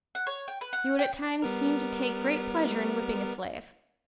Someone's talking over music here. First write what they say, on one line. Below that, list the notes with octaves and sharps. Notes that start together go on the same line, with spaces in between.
He would at times seem to take great pleasure in whipping a slave.
F#5
C#5
G5
B4
F#5
G5
G3 B3 A#4